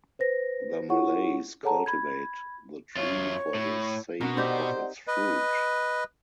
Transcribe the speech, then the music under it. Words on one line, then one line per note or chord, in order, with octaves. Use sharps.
The Malays cultivate the tree for the sake of its fruit.
B4 C5 A#6
E4 F4 G#4 C#5 F#5 C#6
G#4 A4 C#5 F#5 A5 A#5
B5 G#6
F#2 F4 C#5
A2
B2 C4 D4 F#4 A#4
C4 D#4 G4 C5 D5 D#5 F#5
B4 D#5